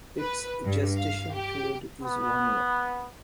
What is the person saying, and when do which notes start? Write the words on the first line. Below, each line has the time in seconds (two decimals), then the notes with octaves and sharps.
Its gestation period is one year.
0.19 B4
0.64 G2
0.98 F5
1.32 G4
2.04 B3